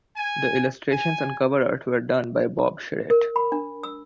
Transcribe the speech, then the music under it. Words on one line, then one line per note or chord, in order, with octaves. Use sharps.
The illustrations and cover art were done by Bob Charrette.
G#5
G#5
A#4
B5
D4
E6